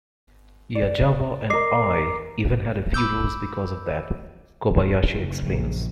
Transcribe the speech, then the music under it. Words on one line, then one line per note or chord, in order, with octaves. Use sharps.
"Yazawa and I even had a few rows because of that," Kobayashi explains.
D5
A#4 D#5 D6 C7
B5 D6 E6 G6
F#1
A#1